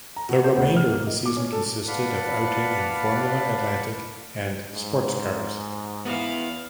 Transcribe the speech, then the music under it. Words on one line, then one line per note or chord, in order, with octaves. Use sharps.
The remainder of the season consisted of outing in Formula Atlantic and Sportscars.
A#5
B2
C5
D2
F6
A#3
D#5
D6
C#4
A4
B4 D5 F5 F#5 A5 B5
G#2
B3 E4 F5